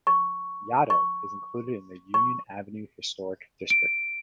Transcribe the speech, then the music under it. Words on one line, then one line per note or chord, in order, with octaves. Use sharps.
Yaddo is included in the Union Avenue Historic District.
C#6
C#6
C#6
D7